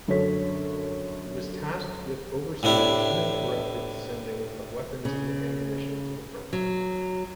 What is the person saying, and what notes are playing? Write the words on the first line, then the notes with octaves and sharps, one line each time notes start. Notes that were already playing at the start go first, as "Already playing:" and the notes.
He was tasked with overseeing uninterrupted sending of weapons and ammunition to the front.
F#2 D3 F#3 A4 C#5 B6
A2 C3 D4 E4
C#3
F#3